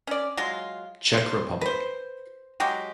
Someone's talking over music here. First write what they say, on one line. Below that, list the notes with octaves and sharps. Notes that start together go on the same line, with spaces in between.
Czech Republic.
C#4 D5
F#3 G#3 F4
F4 C5
B4 C5
F#3 G#3 G4